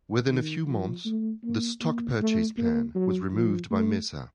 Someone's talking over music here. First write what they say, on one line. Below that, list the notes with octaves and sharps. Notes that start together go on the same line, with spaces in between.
Within a few months the stock purchase plan was removed by Mesa.
D#3
F3
A3
A#3
A#3
A3
A#3
F#3
F3
A3